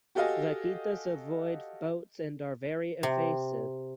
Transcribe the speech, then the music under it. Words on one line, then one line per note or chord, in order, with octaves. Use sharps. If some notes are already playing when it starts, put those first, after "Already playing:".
Vaquitas avoid boats and are very evasive.
F#4 G4 A4 D#5 F5 G#5
C3